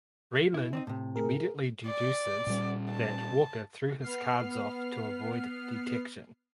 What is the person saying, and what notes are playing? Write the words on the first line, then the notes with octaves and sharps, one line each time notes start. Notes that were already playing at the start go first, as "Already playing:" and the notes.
Raylan immediately deduces that Walker threw his cards off to avoid detection.
E4
C4 D4 D#4
A2 C3
G#4 A#4
D5
A#2 G3
A5
B3 F6 C7